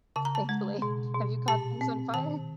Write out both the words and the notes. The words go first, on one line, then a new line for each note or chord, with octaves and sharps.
thankfully. Have you caught things on fire?
C#3 A5
A#5
A5
G#3
B2
B2
A#2 A5
C4
D#3 A5